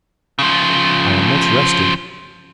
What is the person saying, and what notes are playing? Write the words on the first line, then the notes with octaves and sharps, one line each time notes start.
I am much rested.
C#3 F3